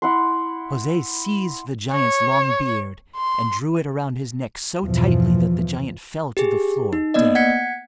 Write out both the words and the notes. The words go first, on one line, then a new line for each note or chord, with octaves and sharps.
Jose seized the giant's long beard and drew it around his neck so tightly that the giant fell to the floor dead.
E4 F#5 C6
C#5
C6
E2 G2 B2 E3 F3
G4 G#4
D#4
A#3 B3 D5 D#5
F#5 G#6 B6 C#7